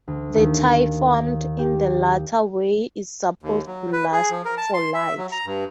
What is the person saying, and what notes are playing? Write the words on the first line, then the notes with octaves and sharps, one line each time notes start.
The tie formed in the latter way is supposed to last for life.
D2
D#2
G4
D#2
F#3
B4
G#4
F3
A#4
A5
C6
E5
F#3
A#5
G2